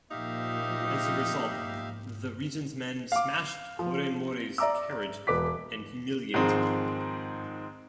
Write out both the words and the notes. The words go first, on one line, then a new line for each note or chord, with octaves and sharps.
As a result, the Regent's men smashed Koremori's carriage and humiliated him.
A#2 F3 D#4 G4 E5 F5
F5 D6
F3
D5 E5 A#5 D6 E6
E1 B4 D6 B6
G#2 D#3 F3 G#3 C4